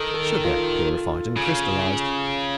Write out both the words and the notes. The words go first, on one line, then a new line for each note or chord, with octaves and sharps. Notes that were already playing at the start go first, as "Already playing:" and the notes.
Sugar purified and crystallized.
Already playing: D#3 A4
A4
F4
C#3